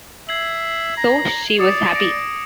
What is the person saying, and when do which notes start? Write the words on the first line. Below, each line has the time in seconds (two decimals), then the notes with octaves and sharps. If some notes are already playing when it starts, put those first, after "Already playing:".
So she was happy.
0.29 E5 G#6 C7 F#7
0.97 A#5
1.59 D5 D6 D#6 C#7
1.95 A#6 D7